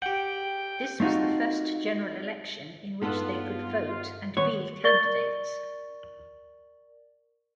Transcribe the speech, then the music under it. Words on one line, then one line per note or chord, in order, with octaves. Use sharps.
This was the first general election in which they could vote and be candidates.
G4 F#5 G5
A3 C4 D#4 F4 F#4
G2 B3 D#4 F4 A4
D#3 B3 C#5
A#4 D5 C#6 A6 G7